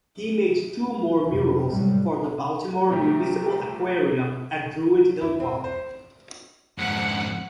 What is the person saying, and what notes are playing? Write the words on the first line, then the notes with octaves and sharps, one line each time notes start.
He made two more murals for the Baltimore Municipal Aquarium at Druid Hill Park.
F2 C3
G#1 A2 C3 F#3 G3
C3 F3 G3 A3 G4 A#4
E4
C4
C5
F2 G#2 F#5